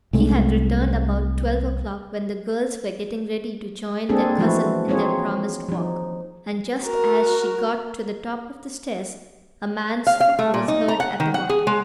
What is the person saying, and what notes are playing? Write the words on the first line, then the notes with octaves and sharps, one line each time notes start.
She had returned about twelve o'clock, when the girls were getting ready to join their cousin in their promised walk, and just as she got to the top of the stairs, a man's foot was heard at the bottom.
C2 G#3 A3
G#3 A#3 C4 D4 G#4 A4
E3 F3 G#3 A3 E4 F#4
C4 D#4 F4 F#4 G#4 C#5
F3 D#4
F#4 A#4
F5
F5
A3
A#2
D#4
A#5
F#5
D#3
F#5
G#4
G#3